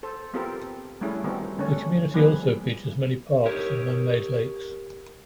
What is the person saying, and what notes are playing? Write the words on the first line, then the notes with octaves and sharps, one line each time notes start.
The community also features many parks and man-made lakes.
A4 C5
B3 C4 F4 G4 A4 A#4
G3 A3 C#4 E4 G#4
D#3 G3 B3 C4 F#4 A#4
D3 A3 C#4 D4 C#5
F3 G3 A#3 B3 G#4 B4
G4 A#4 C#5